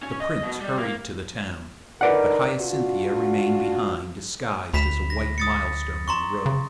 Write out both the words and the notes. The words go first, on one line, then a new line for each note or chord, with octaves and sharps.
The Prince hurried to the town, but Hyacinthia remained behind disguised as a white milestone on the road.
C#4
D#5
B2
G3
A#3
D3 D#4 A#4 B4 D5 F#5
D4 F4 F#4
D2 B5 B6 E7
A#6
D#6 A6 C#7
A#5 C6 C#6
C#3